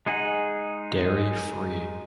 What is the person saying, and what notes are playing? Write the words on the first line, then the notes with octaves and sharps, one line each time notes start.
Dairy free.
G#3 D#4 G#4 D#5 F#5